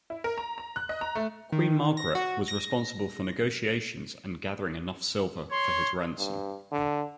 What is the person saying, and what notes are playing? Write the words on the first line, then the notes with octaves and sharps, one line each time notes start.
Queen Margaret was responsible for negotiations and gathering enough silver for his ransom.
E4
A#4
A#5
A#5
F#6
D#5
A#5
A3
D#3
A#6
F#4
A#6
C#5 C6
G2
D3